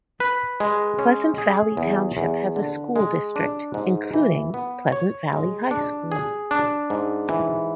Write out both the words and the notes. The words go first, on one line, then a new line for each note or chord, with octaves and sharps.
Pleasant Valley Township has a school district, including Pleasant Valley High School.
B4
G#3
C#4
G#4
E2
E2
D3
G#3
D4
G#2
E3
B3
C#5
G#3
D4
G#4
D4
G#2
E3